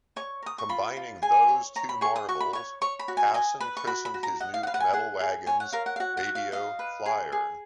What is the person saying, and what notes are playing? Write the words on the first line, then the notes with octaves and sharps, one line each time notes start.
Combining those two marvels, Pasin christened his new metal wagons "Radio Flyer".
C#5 C#6
A#4 D#6
C#6
F4 B5
F4
G#4 G#5
C#5
C#5 A#5
B5
G#4 C#6
D#6
F#4 C#6
B5
C#5 C#6
C#5 C#6
B5
F#4
G#5
D#5 G#5
B4 B5
C#6
F#4 B5
B5
F#4
A#5
D#5 F#5
F5
F#5
B4 F5
F#5
G#5
G#4 F#5
G#4
C#5 G#5
F#5
A#4 F5
F#5
F5
F#4 F#5
F#5
F#4
F5
D#5 F5
B4
G#4
G#4